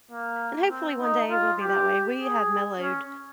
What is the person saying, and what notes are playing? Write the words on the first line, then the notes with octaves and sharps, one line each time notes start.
and hopefully, one day, we'll be that way, we have mellowed
A#3
C4
D#4
F4
G4
G#4
C#4